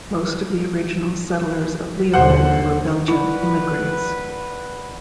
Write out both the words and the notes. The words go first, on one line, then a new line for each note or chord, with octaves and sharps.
Most of the original settlers of Leopold were Belgian emigres.
D#2 D3 C5 F#5
E4 B4 D5 F#5 B5